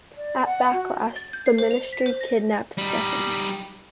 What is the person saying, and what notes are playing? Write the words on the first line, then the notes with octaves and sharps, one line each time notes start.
At Backlash, the Ministry kidnapped Stephanie.
D5
F#5
F#4
A6
G6
C7
C5
F7
B6
C5
A#6
G3 D#4